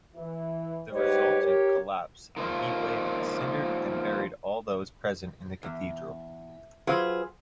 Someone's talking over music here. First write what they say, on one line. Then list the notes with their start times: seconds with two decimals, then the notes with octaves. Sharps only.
The resultant collapse and heat-wave cindered and buried all those present in the Cathedral.
0.15 E3
0.91 G#2 G3 G4 B4 C#5 D#5
1.41 G4 A#4 C#5
2.36 D#3 F3 G#3 A#3 F4
5.63 E2
6.87 F#3 F4 G#4 B4 C5